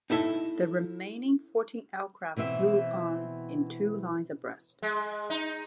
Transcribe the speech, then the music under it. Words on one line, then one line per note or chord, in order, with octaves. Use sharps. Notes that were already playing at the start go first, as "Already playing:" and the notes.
The remaining fourteen aircraft flew on in two lines abreast.
D#4 E4 A4 E5
B2 E3 C4 E5
G#3
D#4